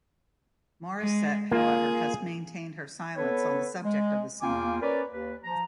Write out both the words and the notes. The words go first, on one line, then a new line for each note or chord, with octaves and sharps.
Morissette, however, has maintained her silence on the subject of the song.
G#3
A#3 F4 G#4
B3 A4 B4 C#5
G#3
E2 A#3 F4 G5 G#5 D6
C#4 A#4 B4 C#5 D5
D#2 B4
F3 A#5